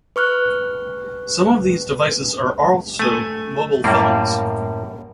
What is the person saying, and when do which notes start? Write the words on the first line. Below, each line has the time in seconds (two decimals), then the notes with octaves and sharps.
Some of these devices are also mobile phones.
0.16 B4 C#6 F6 F#6
3.00 A3 G#5
3.84 F#2 A2 G3 A#3